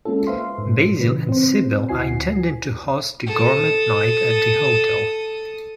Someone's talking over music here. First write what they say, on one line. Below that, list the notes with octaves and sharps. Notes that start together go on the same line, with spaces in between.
Basil and Sybil are intending to host a gourmet night at the hotel.
G#3 A#3 C#4 F4 A4
B4 C5 E5 F5 C6
G#2
C#3 E3 B4
C4 C5
D2 E4 F#4 G#5 C7
A4 D#6